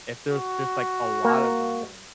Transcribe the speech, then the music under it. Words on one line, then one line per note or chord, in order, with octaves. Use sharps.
if there's just, like, a lot of them, and
F#4
A#3